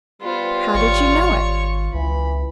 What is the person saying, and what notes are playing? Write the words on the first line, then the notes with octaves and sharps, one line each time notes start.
"How did you know it?"
G3 B3 F4 C5
G#1 C#5 C#6
C#2 E3 B5